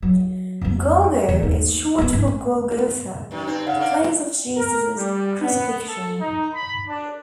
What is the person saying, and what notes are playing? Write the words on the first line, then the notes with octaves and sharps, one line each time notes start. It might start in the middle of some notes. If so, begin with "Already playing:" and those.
"Golgo" is short for Golgotha, the place of Jesus' crucifixion.
F#3
F2 G3
E2
D#2
G#3 B3
G#1 C#4
F#2 D#3
G2 C4 D#4
C#3 F5 F#5 F6
A#3 D4
A#4
G3
B3
A4
D#4
B5
D4